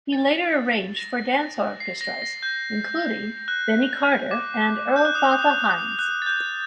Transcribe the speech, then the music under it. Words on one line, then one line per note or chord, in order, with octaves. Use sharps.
He later arranged for dance orchestras, including Benny Carter and Earl "Fatha" Hines.
A6
A#6
C7
A#6
A#6
G6
F#6
D6
G6
F#6
D#6
D#6
F#6
D#6
F#6
A6
G6